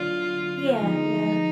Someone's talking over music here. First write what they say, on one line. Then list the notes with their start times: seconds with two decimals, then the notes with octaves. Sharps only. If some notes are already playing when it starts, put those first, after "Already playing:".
Yeah, yeah.
Already playing: D3 F#3 B3 E4 F4
0.81 F3 G#3 B3 D#4